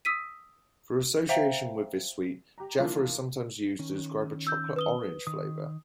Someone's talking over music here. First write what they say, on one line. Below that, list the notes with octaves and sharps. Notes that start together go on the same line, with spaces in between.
Through association with this sweet, Jaffa is sometimes used to describe a chocolate-orange flavour.
D#6 E6 B6 D#7
C5 E5 F5 G5 A#5
G4 A#5
E3 F3 A#3 D4 F4
D#3 C#4
E6 G6
B4 D#6 G7
D#3 D#6